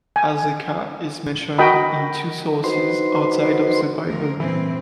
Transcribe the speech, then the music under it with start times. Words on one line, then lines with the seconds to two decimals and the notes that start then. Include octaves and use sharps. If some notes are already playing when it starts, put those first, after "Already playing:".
Azekah is mentioned in two sources outside of the Bible.
0.16 G#5
1.58 F#4 A#4 D#5 G5 B5
2.64 D#4 F#4 B4 C5 C6
4.07 D2 F3 A#4
4.40 G2 A#2 E3 C4